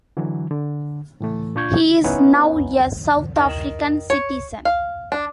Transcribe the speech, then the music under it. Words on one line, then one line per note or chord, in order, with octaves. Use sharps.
He is now a South African citizen.
D3 E3 F#3
D3
A2 E3 A3
A#2 D4 F4 C#6 G6 G#6
B3 C#4 D#4 E4 B4 C#5
D#3
C#5
F5
D4